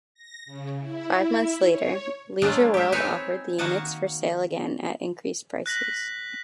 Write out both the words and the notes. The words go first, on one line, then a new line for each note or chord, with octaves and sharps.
Five months later, Leisure World offered the units for sale again at increased prices.
A#6
C#3
E4
E4
C#5
F#3 G#3 A3 D4 F4 D#5
G4 E5
C4 D#4 B4 C#5 E5 G#5
D#3 A#3 F#4 D#5 A5
F#6 A#6 B6 F#7